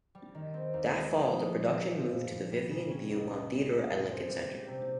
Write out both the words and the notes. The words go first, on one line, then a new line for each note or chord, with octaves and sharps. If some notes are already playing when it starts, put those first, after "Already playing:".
That fall, the production moved to the Vivian Beaumont Theater at Lincoln Center.
G3
D#3
C4
D#2
G#3
F3
D#4
A#2
G#3
F3
G2
G2
G3
C#3
C#4
C#2
D#4
G#3
G#4
A#2
C4
G3
G4
C3